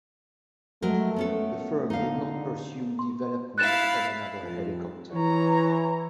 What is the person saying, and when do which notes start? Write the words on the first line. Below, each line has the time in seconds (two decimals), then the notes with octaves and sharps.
The firm did not pursue development of another helicopter.
0.82 F#3 G#3 A3 A#4
1.16 B3 C#4 A4
1.90 D3 D#4 F5
2.99 C6
3.58 E4 F5 F#6 A6 E7
4.41 F2
5.13 E3 C#5 A#5